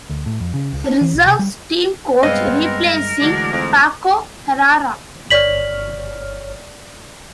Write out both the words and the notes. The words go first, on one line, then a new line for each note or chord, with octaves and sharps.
Reserves team coach, replacing Paco Herrera.
D2
A2
F2
C#3
C#2
D4
E3
B1
C3
G3
G2 G#3 B3 C4 D#5 F5
A#4
D2 E3 F#3 G#3 D4 D5
F2
G1 C#5 D5 F6 B6 F#7